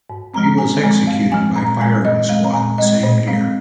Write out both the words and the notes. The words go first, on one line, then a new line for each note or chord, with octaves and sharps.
She was executed by firing squad the same year.
G#2
F3 G#3 C4 A#5
G#2 G#5
F3 G#3 C4 G#5
G#2 F5
F3 G#3 C4 G#5
A#2 A#5
G#3 C4 G#5
A#2 D#5
G#3 C4 F5
A#5
A#2 G#5
G#3 C4 D#5
A#2 C5
G#3 C4 F5